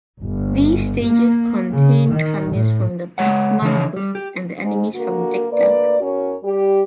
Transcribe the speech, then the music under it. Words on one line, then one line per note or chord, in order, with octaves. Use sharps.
These stages contain cameos from the "Pac-Man" ghosts and the enemies from "Dig Dug".
G1
A#3
C#3
D#3
A2
C#2 G#3 C#5 F#5
C#3 E3 F3 C#4 D#4 C#5
G3
G4
G#2
D3 A#3 F#4 A#4
D2 A#3 B4 D5
E2 C#4 F#4 A#4 C#5
G3 G4